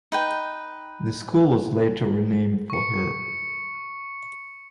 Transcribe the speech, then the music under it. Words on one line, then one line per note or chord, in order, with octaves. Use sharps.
The school was later renamed for her.
D#4 B4 G5
C#6 C#7